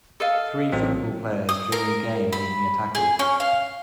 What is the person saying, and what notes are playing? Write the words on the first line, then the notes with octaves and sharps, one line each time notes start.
Three football players during a game, making a tackle.
A4 D#5 F5
A1 F#3 C4
D#6
A#4
B5
G#4
C#4
F5